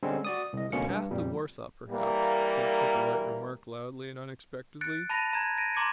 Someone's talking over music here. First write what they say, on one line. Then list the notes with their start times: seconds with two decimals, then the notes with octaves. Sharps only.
"The path to Warsaw, perhaps," Prince Hippolyte remarked loudly and unexpectedly.
0.03 D3 G3 G#3 C4 C#4
0.25 F#4 D5 D#6
0.53 C2 D#5
0.72 D2 B2 D3 A#3 C#4 C#7
0.90 G2
1.10 F2 A#2 G3
1.89 E3 G3 A#3
4.81 F#6 A6 C#7 D7
5.10 A5 B5 A6 A#6 D#7 F7
5.33 A#5 G#6
5.57 A6 A#6 D7 D#7
5.75 A#5 C6 D6 G#6 A6 C#7